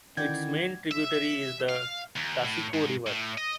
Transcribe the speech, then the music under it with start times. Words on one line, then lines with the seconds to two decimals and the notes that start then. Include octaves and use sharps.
Its main tributary is the Taseko River.
0.17 D3 D#3 C#4 E4 D5 F#5 G5 G#6
0.91 E5
1.69 F5
2.16 D#2
2.44 A2
2.74 G#2
3.06 A2
3.38 D#5